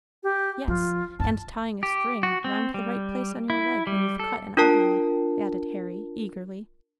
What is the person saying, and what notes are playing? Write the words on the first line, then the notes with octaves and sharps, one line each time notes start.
"Yes, and tying a string round the right place on your leg when you've cut an artery," added Harry, eagerly.
G4
F3 F4
G2 D3 A5
G4
F#4
C4
G3
E4
G3
A4
D4 F4 A#4 A5